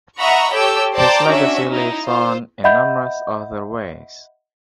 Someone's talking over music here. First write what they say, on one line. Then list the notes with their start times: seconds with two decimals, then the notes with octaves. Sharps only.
His legacy lives on in numerous other ways.
0.18 D#5 E5 F#5 A#5 B5 C#6
0.53 G4 A4 C#5 G5 E6
0.95 C5 D5 G5 A5 A#5 D6
1.29 C#4 D4 F#4 E5
1.70 D#4 E4
2.07 F4 C5
2.64 D#5 E5 F#5 B5 G6